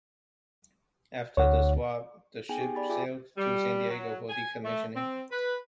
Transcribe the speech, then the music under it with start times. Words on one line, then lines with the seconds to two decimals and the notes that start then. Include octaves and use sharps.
After the swap, the ship sailed to San Diego for decommissioning.
1.37 D2 C#5 F#5
2.49 B3 D#4 G#4 G5 G#5
2.61 G4
2.75 D5 B5 A6
2.89 F4 G#4 E5 G5 G#5 D6
3.38 G3
3.90 F#3
4.30 G#5
4.64 A3
4.96 C4
5.31 B4